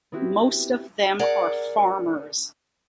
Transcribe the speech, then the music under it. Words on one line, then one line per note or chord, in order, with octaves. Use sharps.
Most of them are farmers.
B3 C4 E4 F#4 G4
G#4 A#4 D5 F#5